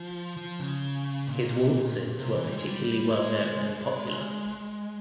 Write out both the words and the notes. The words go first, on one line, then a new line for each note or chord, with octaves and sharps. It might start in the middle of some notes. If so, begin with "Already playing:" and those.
His waltzes were particularly well known and popular.
Already playing: F3
F3
C#3
A#2
C3
E3
G3
G#3
G3
G#3